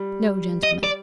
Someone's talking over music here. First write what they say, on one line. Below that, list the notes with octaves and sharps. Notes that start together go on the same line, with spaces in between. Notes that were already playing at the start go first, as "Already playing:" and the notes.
No gentleman!
Already playing: G3
D#5
D5